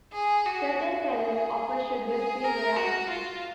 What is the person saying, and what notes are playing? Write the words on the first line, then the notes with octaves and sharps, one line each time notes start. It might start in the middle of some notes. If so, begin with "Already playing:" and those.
Certain sellers offer sugar-free varieties.
G#4
F#4
F#4
G#4
G#4
A#4
F#4
F4